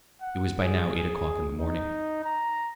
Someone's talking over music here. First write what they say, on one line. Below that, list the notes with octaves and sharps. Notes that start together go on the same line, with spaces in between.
It was by now eight o'clock in the morning.
F#5
G#4
G#4
D#4
A#5